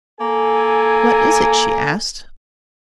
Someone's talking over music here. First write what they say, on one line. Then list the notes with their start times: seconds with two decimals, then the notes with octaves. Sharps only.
"What is it?" she asked.
0.19 A#3 A4 G#5